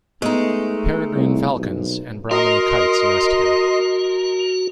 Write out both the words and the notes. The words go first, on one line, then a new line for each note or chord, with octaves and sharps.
Peregrine falcons and brahminy kites nest here.
G#3 A3 B3 D#4
C2
B1
F#4 A#4 D#5 C6